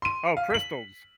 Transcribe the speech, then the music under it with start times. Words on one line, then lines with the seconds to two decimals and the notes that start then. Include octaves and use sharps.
Oh, crystals.
0.02 C6 D#7
0.37 F5
0.50 B6 F#7